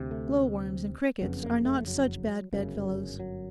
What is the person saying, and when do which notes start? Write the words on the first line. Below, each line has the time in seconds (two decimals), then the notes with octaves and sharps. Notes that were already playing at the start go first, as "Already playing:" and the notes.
Glow-worms and crickets are not such bad bedfellows.'
Already playing: D2 C3
0.11 A3
1.21 F#1 F2 C#3 B3
1.43 A#3
1.65 A3
1.88 F#3
2.53 G1 F#2 C#3
3.20 F#3